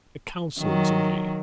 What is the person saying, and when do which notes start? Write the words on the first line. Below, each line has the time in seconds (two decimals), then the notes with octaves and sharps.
A counsel is engaged.
0.59 D#3 F#3